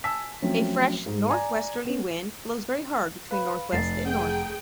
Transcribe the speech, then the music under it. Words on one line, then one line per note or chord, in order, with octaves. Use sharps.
A fresh northwesterly wind blows very hard between northwest and north.
G#5 A5 E6 B6
F3 F#3 A3 C4 C#4
G#2
D5 G#5 A#5
B3 C#4
B4 F5 B5
F1 A6 C7
G#4 F#5 G5